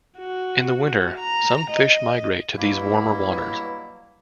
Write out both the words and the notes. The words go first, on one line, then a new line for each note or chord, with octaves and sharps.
In the winter, some fish migrate to these warmer waters.
F#4
A#5
D#5
G2 B2 F#3 G3 A#3 E4